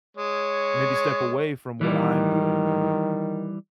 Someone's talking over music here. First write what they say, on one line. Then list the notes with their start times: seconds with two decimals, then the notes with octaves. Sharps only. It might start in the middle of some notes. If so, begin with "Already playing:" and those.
maybe step away from what I'm doing, or
0.17 G#3 C#5
1.81 D#3 E3 G3